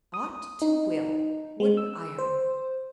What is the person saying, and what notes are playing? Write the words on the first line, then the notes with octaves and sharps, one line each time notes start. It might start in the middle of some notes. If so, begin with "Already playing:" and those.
"Ought to will!"--wooden iron!
D#6
D#4
G#3
E6
C5